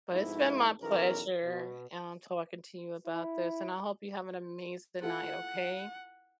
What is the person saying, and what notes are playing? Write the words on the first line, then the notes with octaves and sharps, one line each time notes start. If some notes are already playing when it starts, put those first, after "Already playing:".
but it's been my pleasure, um, talking to you about this, and I hope you have an amazing night, okay?
F2 G#2 B2 E4
B1 E2 C#4 A#4
B2
E4
E4 F4 A4 F#5